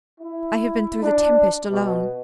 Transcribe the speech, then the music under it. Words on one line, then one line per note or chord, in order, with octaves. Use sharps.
I have been through the tempest alone.
E4
D4
B2